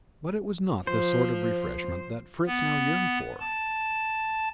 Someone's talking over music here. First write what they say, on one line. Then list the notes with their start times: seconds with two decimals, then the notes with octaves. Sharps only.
But it was not this sort of refreshment that Fritz now yearned for.
0.87 F3 C5
2.47 B3
3.40 A5